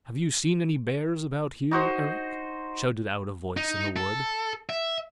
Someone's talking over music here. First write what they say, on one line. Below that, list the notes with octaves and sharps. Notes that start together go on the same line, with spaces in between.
'Have you seen any bears about here, Eric?' shouted out a voice in the wood.
D#4 F#4 C5
D#4
A4
E5